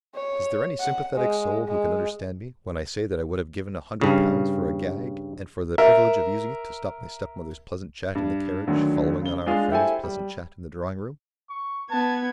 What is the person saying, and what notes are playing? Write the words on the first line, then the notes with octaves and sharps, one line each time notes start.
Is there any sympathetic soul who can understand me, when I say that I would have given a hundred pounds for a gag, and for the privilege of using it to stop my stepmother's pleasant chat in the carriage, following on our friends' pleasant chat in the drawing-room?
C#5
F#5
G#3
G#3
G2 C#3
A#4 E5
G2
D2 D3 D#3 F#3
C#3 G7
G#3 D4 F4 G#4 F5
E4 G4 A4 C5 G#5
G3
C#6
B3 A5 G#6